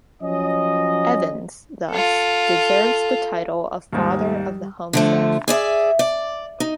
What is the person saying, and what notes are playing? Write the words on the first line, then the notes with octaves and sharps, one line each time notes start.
Evans, thus, deserves the title of Father of the Homestead Act.
F3 F#3 C#4 D#5
F4 A4
D#2 G#2 G3
D3 F3 A3
G#4 D5 E5
D5
D#4